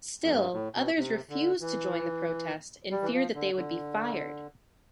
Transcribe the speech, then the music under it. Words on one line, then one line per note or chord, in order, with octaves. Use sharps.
Still, others refused to join the protest in fear that they would be fired.
F2
G2
A2
B2
C3
D3
E3
G3
E3
F3
D3
D3